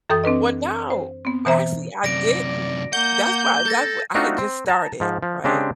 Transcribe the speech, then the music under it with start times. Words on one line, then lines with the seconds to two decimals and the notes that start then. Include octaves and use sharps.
Well, no. Actually, I didn't. That's why that's I had just started, right?
0.09 F#2 E3 A4 G5 D#6 G6
0.24 C4 D4 B4 D#5
0.90 C5
1.25 B3 C4
1.45 B2 E3 C5 E5 A#5
2.04 F#2 C3 D5 A#6 D7
2.93 A#3 F#5 G6
3.66 A4 G6 A6 A#6
4.14 A3 C4 D4 D#4 F4 F#4
4.38 C4
4.68 A5 A#5
5.00 G#2 F3
5.23 F3
5.44 C#3 G#3 C4 D4 G4